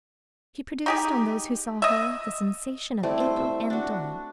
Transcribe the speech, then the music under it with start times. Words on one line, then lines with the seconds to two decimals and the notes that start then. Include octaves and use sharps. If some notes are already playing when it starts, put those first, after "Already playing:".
She produced on those who saw her the sensation of April and dawn.
0.86 D#4 G4 G#4
1.82 D#5 E5
3.03 G3 A3 C4 E4
3.20 C5
3.36 E5
3.70 D4 F#4